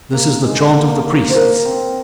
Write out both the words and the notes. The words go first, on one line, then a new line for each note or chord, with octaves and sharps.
This is the chaunt of the Priests.
A#3
G#3
A#3
A#3
C5
A#3 A#4
C4